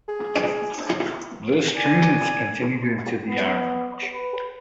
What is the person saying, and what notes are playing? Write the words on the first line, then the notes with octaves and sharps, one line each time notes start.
This trend is continued into the Iron Age.
G#4
D5 G#5
B3
B4